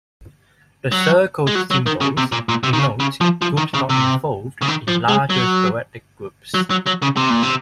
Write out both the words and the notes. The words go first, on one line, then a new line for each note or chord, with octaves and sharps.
The circled symbols denote groups not involved in larger sporadic groups.
F#3
G#3
F#3
F#3
D#3
C#3
C3
A#2
A#2
C3
D#3
C#3
C#3
F3
F3
D#3
C#3
C3
C#3
D#3
F3
G#3
F#3
F#3
F#3
F#3
C#3
C3
A#2
C3